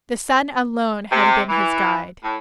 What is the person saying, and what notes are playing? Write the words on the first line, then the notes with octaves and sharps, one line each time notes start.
The Sun alone had been his guide.
C3
E3
A2